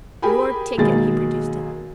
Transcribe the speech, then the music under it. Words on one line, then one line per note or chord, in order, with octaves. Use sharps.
"Your ticket." He produced it.
G4 G#4 A#4 G5 G#5 B5
B1 D#3 G#3 A#3 G#4 A6